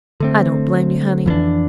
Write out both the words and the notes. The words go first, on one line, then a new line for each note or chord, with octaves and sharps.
I don't blame you, honey.
D3 A3 C4
F2 E3 B3 D4